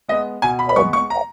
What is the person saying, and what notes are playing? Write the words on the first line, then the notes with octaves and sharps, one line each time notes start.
Oh my god,
G#3 B3 D#5
B2 G#5
B5
B5
G#3 B3 C#6
C#6
A#5